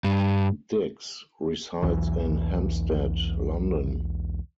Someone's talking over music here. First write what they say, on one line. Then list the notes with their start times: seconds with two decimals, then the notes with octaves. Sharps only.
Dicks resides in Hampstead, London.
0.04 G2
1.83 B1 E2 E3